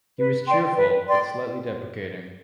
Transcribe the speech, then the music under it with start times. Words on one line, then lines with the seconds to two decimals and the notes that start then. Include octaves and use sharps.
He was cheerful, but slightly deprecating.
0.17 B4
0.46 D5 G5 C6
0.77 B4
1.07 D5 G5 C6